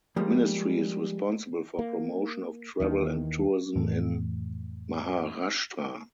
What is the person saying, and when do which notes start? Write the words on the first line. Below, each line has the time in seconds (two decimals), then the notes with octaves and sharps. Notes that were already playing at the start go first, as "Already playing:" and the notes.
Ministry is responsible for promotion of travel and tourism in Maharashtra.
0.16 F3 G3 G#3 A#3
1.79 A#3
2.80 D#2 D#3 E3
3.76 F2 A2 E3 A3